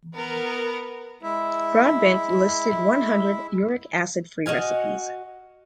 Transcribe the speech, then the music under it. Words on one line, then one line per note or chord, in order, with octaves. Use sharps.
Broadbent listed one hundred Uric Acid free recipes.
B3 A#4
G#3 E4 E5
F#4 D#5 F5 G#5